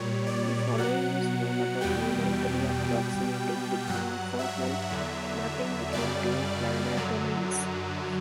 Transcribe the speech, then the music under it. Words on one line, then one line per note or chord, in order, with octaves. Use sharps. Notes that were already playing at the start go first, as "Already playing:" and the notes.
The following is known about numerically approximating the conformal mapping between two planar domains.
Already playing: A#2 G3 C#5
D5
B2 F#3 F#5
E2 B2 G3 G5
B2 G3
G2 F#3 F#5
E5
E2 D3 F#3
F#2 C#3 G3 D5
F#2 D3 F#3